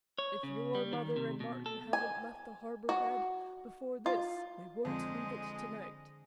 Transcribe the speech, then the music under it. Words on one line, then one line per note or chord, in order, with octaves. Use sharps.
If your mother and Martin haven't left the Harbour Head before this, they won't leave it tonight.
C#5
C#3
G3
D#3
C3
B2
A4
G#5
F#4
F4
F2 D3 G#3 C5 D#5